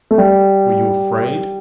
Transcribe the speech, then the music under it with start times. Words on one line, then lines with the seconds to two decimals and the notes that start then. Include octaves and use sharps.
"Were you afraid?"
0.11 A3
0.18 G3